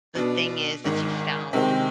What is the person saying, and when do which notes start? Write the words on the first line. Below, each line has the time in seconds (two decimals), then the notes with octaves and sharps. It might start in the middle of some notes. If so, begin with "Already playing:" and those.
the thing is that you found
0.15 B2 B3 D4
0.84 G#1 G#2 D#3
1.53 C3 D#3 G#3 C4 G4